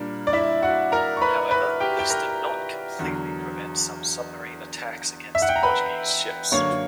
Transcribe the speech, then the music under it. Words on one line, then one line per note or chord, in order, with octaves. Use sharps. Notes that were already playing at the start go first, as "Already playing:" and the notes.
However, this did not completely prevent some submarine attacks against Portuguese ships.
Already playing: A#2 G3 A#3 D4
D5
E4 E5
F#4 F#5
A#4 A#5
C#6
B4 B5
B4 B5
G4 G5
G5
A#4 A#5
E2 D3 F#3
E5
F#5
G5
A#5
B4 B5
F#2 D3 A#3 C#5 C#6